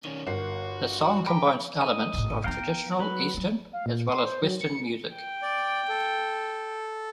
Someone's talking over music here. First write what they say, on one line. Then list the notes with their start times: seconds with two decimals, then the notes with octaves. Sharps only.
The song combines elements of traditional Eastern as well as Western music.
0.05 D#3 C#4
0.27 G1 F#4 A#4 C7
1.00 F#4
1.26 G5 A#5 B5 D6
1.82 D#5
2.14 G#1 A2
2.44 B3 D#4 F5 G5 A#5
2.99 F#3 B4
3.34 F#3 A3
3.73 F5
3.86 A#2
4.09 C6
4.25 C5
4.43 F#3
4.61 C#7
5.13 G5
5.42 D5
5.89 A4